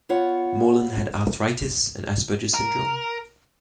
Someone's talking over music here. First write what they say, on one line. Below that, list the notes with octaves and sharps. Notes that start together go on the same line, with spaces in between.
Morlan had arthritis and Asperger syndrome.
B3 F4 C#5 F#5
A#4